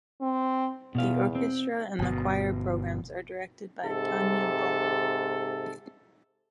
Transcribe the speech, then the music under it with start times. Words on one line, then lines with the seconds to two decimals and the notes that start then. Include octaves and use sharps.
The orchestra and the choir programs are directed by Tanya Boehme.
0.21 C4
0.95 E2 B2 F5
1.35 C4
1.99 G1 B2
3.83 G#2 C3 A4